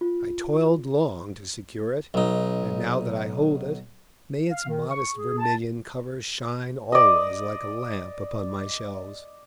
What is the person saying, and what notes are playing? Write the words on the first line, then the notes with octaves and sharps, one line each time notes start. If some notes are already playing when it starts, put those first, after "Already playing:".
I toiled long to secure it, and, now that I hold it, may its modest vermilion cover shine always like a lamp upon my shelves!
F4
B1 D#4
F5
D#3
C#6
G#4
A5
D5 D#5